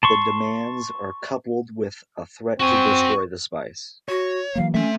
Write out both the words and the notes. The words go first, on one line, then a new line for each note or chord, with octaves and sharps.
The demands are coupled with a threat to destroy the spice.
A5 C6 C#6
C4 F#4 G#5 C#6
F#4 C#5
E3 F#3 A#3 F5
A3 C4 C#4 E5